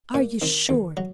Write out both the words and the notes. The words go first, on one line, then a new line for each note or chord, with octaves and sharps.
Are you sure?
A#2
D#3 C4
D#2
F#3